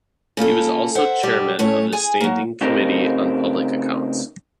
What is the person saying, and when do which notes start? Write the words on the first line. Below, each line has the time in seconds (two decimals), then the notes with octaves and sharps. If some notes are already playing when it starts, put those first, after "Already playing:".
He was also chairman of the Standing Committee on Public Accounts.
0.37 C#3 A#3 F4 A4
0.95 C5 E5 F#5
1.23 B2 G3 G4
1.59 A2 A3 C#4 C#5
1.92 G#4 G#5
2.21 F#3 A#3
2.61 C#3 A3 C4 D#4 G4 A#4